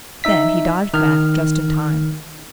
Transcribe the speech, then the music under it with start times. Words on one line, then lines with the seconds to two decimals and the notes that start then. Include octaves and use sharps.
Then he dodged back just in time.
0.24 D#4 E5 B6
0.94 D#3 F6